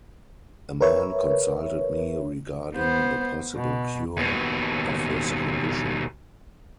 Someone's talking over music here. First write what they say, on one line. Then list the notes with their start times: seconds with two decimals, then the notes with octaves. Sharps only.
A man consulted me regarding the possible cure of his condition.
0.81 A#4 B4 C#5 E5
2.76 B3 C5
3.55 B2
4.17 D#2 B2